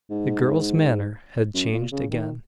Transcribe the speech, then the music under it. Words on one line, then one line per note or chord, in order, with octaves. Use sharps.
The girl's manner had changed again.
G#2
F#2
A#2
C#3
D#3